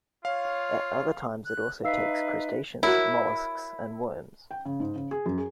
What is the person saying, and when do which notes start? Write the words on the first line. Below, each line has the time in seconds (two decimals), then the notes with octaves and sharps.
At other times it also takes crustaceans, molluscs and worms.
0.25 F4 C#5 F5
1.43 F#6
1.84 D#4 B4 E5 F5 E6 C7
2.83 E4 F#4 A#4 C#5
4.51 G5
4.65 C#3
4.80 G#2
4.95 C#3
5.11 G#4
5.26 F#2
5.38 G#4